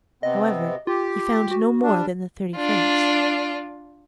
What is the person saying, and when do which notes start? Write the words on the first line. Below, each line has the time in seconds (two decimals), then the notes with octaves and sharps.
However, he found no more than the thirty francs.
0.23 C3 B3 C4 D#5
0.87 F4 G4
1.51 F#4
1.83 G3 D4
2.56 D4 F4